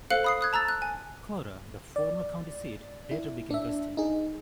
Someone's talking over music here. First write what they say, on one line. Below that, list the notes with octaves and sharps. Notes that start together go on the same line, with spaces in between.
Cora, the former county seat, later became Gustine.
A4 C5 F5 F#6 C#7 F#7
B5 D#6 C7
D#6 F#6 G#6
A5 A#5 E6 A6
F#6
G#5
D5
E4
D4 E5
D#4 G#4